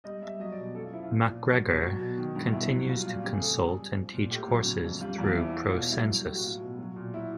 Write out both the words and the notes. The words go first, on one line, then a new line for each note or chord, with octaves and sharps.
MacGregor continues to consult and teach courses through ProSensus.
G3 D#5
G3 E5
F#3 D#5
D5
B2
F#2 A4
F4
F3 E4
F4
A#2
A#2
F#3
B2
F#3 F#4
B2
D#3
G2
B2 E4
F#3
G3 F4
F4
A#2
F4
C#3 G4
G#4
F2 A4
G#4
G3
G3
F3
A#2
A2 G4
F#3
C#3
F2
G3 F4
E2 F4
F3 E4
F3
B2 F4
G3 E4
F#3
A2
F#4
F#3 F4
B2
F#3
A#2
F#3 E4